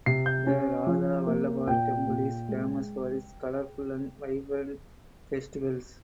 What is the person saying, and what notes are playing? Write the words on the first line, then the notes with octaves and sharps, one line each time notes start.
The Radha Vallabh temple is famous for its colorful and vibrant festivals.
C3 C7
G6
C#4
F3
A#3
A#2 G5
A#2
G#3